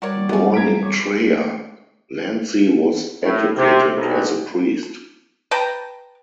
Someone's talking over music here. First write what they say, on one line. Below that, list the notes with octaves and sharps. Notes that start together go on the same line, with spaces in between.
Born in Treia, Lanzi was educated as a priest.
G3 F#4 A#4 C#5 D5
F#3 A3 B3 C#4 A4
A#5 G#6 B6 D7
C#5 D6
A2
C3
B1
B4 G5 A5 A#5